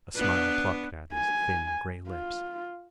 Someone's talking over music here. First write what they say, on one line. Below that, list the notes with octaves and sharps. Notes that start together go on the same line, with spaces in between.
A smile plucked at his thin, gray lips.
B3 D4 B4
G#5
F4